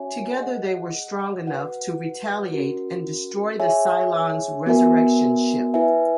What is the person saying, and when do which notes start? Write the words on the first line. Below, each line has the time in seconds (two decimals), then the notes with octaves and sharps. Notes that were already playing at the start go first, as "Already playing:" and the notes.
Together, they were strong enough to retaliate and destroy the Cylon's Resurrection Ship.
Already playing: C#4 F#4 C#5 E5 G#5
0.38 G#4 D#5 F#5
1.46 F#4 B4 F#5
2.53 C#4 F#4 A#4
3.60 G#4 C#5 E5 G#5
4.66 B3 F#4 A#4 E5 G#5
5.74 E4 B4 E5 G#5